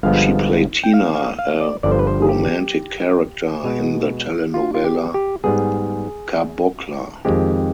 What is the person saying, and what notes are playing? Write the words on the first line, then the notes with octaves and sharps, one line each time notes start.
She played Tina, a romantic character, in the telenovela Cabocla.
G1 G2 F3 G#3 B3 F5
G5
F5
F5
F5
D5
G1 G2 D3 F3 D5
C5
B4
C5
G#4
G4
B2 G#3 B3
F4
F4
G4
G4
G#2 G3 B3 G#4
F2 D#3 G#3 C4 G4